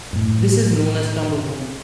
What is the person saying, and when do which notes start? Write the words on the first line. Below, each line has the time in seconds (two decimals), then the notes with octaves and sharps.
This is known as tumblehome.
0.13 F#2 A2